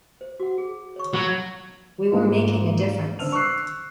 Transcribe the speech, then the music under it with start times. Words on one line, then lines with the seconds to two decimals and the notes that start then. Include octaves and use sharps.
We were making a difference.
0.21 C5
0.40 F#4 F#5
0.58 G#4
0.96 C#5 C#6
1.14 F#3 F4
2.12 G#2 A#3 F4
3.19 D3 C5 E6 F6 F7
3.32 C#6 D6 E6 F#6 C7